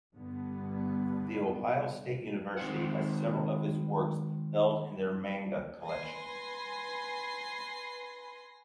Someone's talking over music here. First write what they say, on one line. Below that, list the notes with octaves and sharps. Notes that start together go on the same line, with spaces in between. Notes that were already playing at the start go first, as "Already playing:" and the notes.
The Ohio State University has several of his works held in their Manga Collection.
G2 D3 B3
D#3 G#3 C4 C5 F5 F#5
B4 G#5 C6 A#6 C7